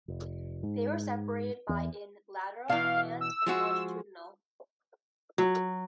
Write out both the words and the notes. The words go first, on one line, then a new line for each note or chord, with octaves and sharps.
They were separated by in lateral and in longitudinal.
F1
G#2
E2
B2 E3 F5
E6
F3 G#3 F#4
F#3